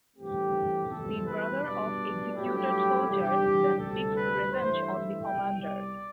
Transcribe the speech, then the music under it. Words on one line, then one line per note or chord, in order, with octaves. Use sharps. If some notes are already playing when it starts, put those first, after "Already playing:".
The brother of executed soldier then seeks revenge on the commander.
G2 E3 A3 C4 G4
E2 B2 G3 C4 E4 A4
B4
B2 G3 D4 D5
G2 F#3 A3 E4 G4
E2 C3 G3 D4 G4
D2 C3 G3 A4
B4
G2 E3 A3 E4 C5
E5
C2 B2 G3 G5
D5